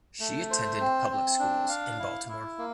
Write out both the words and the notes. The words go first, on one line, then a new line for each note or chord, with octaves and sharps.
She attended public schools in Baltimore.
A3
C5
C4
C4
D4
F5
E4
E4
A#3